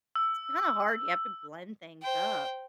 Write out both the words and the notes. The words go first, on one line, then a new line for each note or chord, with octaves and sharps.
it's kinda hard, you have to blend things up,
E6
C5 G5